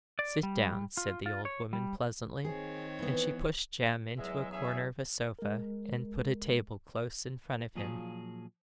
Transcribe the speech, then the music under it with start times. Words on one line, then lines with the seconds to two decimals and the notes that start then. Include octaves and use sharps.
'Sit down,' said the old woman pleasantly, and she pushed Jem into a corner of a sofa and put a table close in front of him.
0.19 D5
0.43 G3
0.97 F4
1.26 F4
1.45 C#5
1.73 G3
2.45 D#3 C4 G#4 C#5
2.99 E3 B3
4.17 E2 F#3 G#3 E5
4.51 C#4 G#4 E5
5.39 G#3 A#4
7.75 A#2 F3 F#3 G#4